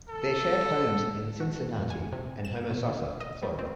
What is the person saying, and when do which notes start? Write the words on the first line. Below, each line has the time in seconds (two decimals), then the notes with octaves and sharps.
They shared homes in Cincinnati and Homosassa, Florida.
0.10 A4
1.40 F#4
1.78 F2
1.90 G#5
2.12 C3
2.45 E7
2.71 B2
2.88 D3
3.20 D#5
3.43 G3
3.59 C4